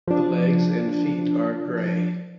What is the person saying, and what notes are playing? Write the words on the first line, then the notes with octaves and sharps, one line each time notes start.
The legs and feet are gray.
F3 D4